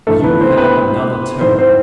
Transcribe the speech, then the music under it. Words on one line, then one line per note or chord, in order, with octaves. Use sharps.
"You have another turn."
G2 E3 A3 A4
B3 B4
C4 C5
B3 B4
G#2 E3 C4 C5
C4 C5